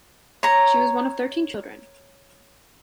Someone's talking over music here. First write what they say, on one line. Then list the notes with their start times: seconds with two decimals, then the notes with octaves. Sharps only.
She was one of thirteen children.
0.43 C#5 A#5